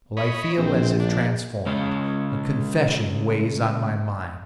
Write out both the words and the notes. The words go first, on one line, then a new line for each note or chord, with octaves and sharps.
"Well, I feel as if transformed--a confession weighs on my mind."
C#5 D#5 B5
A#1 C4
D4
C#3 G#3 C#4 C#5